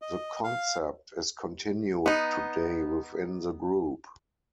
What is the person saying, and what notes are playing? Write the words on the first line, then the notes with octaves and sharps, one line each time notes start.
The concept is continued today within the group.
D#5
F5
B3 D#4